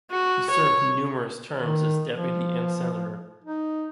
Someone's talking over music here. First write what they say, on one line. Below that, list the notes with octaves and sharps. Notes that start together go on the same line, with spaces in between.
He served numerous terms as deputy and senator.
F#4
C#5
D#3
F3
D#4